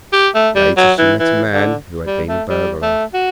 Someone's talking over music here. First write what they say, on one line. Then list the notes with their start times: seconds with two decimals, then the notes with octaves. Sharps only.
Later she met a man who had been a burglar.
0.13 G4
0.35 A3
0.55 G3
0.77 F#3
0.98 E3
1.20 E3
1.53 D3
2.07 G3
2.29 A3
2.50 G3
2.82 A3
3.14 F#4